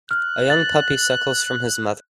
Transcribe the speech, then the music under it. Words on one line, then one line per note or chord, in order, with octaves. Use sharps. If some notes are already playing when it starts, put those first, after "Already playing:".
A young puppy suckles from his mother.
F6 F#6
A6 F#7